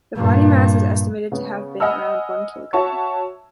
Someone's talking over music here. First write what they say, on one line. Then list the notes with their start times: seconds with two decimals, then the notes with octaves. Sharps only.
The body mass is estimated to have been around one kilogram.
0.16 G2 A#2
1.32 C#3 B3
1.80 D#5 F#5 G#5 B5 E6 F6
2.73 F#4 C#5 E5 A5 C#6